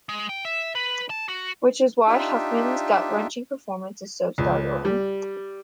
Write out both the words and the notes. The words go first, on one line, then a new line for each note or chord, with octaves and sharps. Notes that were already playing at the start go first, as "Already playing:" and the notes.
Which is why Huffman's gut-wrenching performance is so startling.
G#3
G5
E5
B4
A5
F#4
D4 D#4 F4 G4 E5
C#2
G3